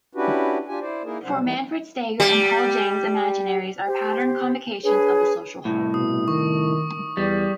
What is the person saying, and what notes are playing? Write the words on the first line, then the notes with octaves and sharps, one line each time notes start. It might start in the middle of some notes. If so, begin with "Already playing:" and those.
For Manfred Steger and Paul James imaginaries are patterned convocations of the social whole.
C#4 D4 E4 F#4 G4 B4
D4 F4 G4 G#5
E4 C5 D5
A#3 D#4 E4 G#4 A#4
C3 F#3 G3 C#4 C5 F#5
E3 G3 A#3 B3 D#4 E4
G3
G4 C5
D4 G#4 B4 C#5
C2 A2
B2 D#6
D#3 C#6
E2 G3